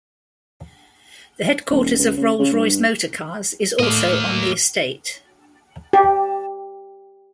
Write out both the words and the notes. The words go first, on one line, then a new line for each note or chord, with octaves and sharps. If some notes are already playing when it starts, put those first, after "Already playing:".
The headquarters of Rolls Royce Motor Cars is also on the Estate.
D#1
C#2
C#3
C#3
G2
A2 A3 A#3 D#5
G4